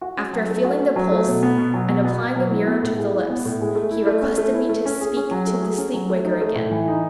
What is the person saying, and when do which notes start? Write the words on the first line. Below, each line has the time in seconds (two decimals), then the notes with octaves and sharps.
After feeling the pulse and applying a mirror to the lips, he requested me to speak to the sleep-waker again.
0.01 F#4
0.17 C#4
0.33 F#3
0.49 A3
0.65 F#4
0.79 C#4
0.96 F#3
1.12 A3
1.27 B2
1.43 B3
1.58 B2
1.74 F#3
1.88 B2
2.04 B3
2.20 B2
2.36 F#3
2.51 E4
2.67 B3
2.83 A2
2.98 G#3
3.14 E4
3.30 B3
3.45 A2
3.61 G#3
3.75 A3
3.91 E4
4.06 A3
4.22 C#4
4.38 A3
4.54 E4
4.69 A3
4.85 C#4
5.01 G#4
5.17 C#4
5.31 F#3
5.47 A3
5.62 G#4
5.78 C#4
5.94 F#3
6.09 A3
6.25 D#4
6.41 A3
6.56 A2
6.71 E3
6.88 D#4